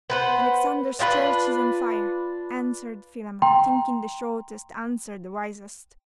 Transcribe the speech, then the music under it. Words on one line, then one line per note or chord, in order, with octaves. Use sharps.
'Alexander's church is on fire,' answered Philammon, thinking the shortest answer the wisest.
B3 B4 C5
D4 F4 G4 B4
G5 A#5 C6